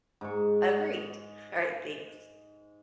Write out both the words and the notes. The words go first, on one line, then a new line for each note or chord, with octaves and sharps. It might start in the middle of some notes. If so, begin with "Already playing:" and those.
Agreed. Alright, thanks.
G#2 C#6